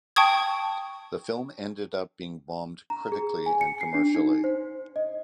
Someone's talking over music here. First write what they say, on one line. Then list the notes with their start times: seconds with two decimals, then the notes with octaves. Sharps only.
The film ended up being bombed critically and commercially.
0.16 G5 A5 C#6 D#6 G#6
2.90 A#5
3.12 G#4
3.46 G#5
3.61 C#7
3.81 C7
3.94 D4
4.15 D#4
4.44 C5
4.96 D#5